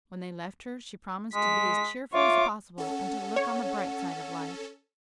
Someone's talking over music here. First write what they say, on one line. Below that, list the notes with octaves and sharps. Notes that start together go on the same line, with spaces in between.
When they left her she promised to be as cheerful as possible and to look on the bright side of life.
G#3 B6
F4 C#5 E5 D6
C#4 A4 F#5
C#5